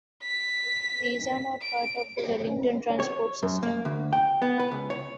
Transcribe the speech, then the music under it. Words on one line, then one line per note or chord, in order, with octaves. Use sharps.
These are not part of the Wellington transport system.
B6
D7
C#5
F#2
A#3
D2
G5
B3
B4
C#2
C#5